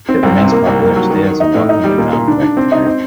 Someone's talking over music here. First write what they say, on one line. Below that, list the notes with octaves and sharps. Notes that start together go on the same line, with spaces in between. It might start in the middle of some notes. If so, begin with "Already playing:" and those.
It remains popular today as a walking and mountain biking route.
C4
C2
C3
A#3
C2
A#3
F#3
D#3
D#3
D#4
A2
D#4
G3
A#2
A#2
D4
D4
C4
D#4
C4